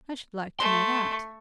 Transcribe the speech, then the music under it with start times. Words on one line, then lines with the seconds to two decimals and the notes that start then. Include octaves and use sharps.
I should like to know that.'
0.60 A3 C6